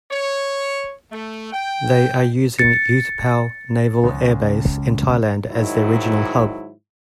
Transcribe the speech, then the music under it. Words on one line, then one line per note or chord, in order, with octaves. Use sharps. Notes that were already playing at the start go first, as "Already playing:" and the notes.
They are using Utapao Naval Air Base in Thailand as their regional hub.
C#5
A3
G5
A6 C#7
C#2
G#2 D#3 F#3 E4